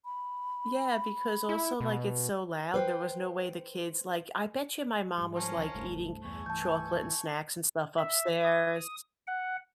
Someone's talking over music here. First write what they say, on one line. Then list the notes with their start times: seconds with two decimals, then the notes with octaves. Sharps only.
Yeah, because also like, it's so loud there was no way the kids like I bet you my mom was, like, eating chocolate and snacks and stuff upstairs
0.05 B5
1.49 E4
1.81 B2
2.74 B4 C5 G5
5.18 G#2 G3
5.36 F3 C#4 F4 A#4 C5 A5
5.55 C#2 C3
5.74 F1 C2 G2 A3
6.24 E2 A4 G#5 C#6
6.46 E3 A5 G6
7.98 E5
8.44 D#6
9.27 F#5